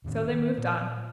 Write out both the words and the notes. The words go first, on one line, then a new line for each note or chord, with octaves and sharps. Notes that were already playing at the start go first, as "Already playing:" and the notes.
So they moved on.
E1 A2 D#3 C#4
D#3
A#2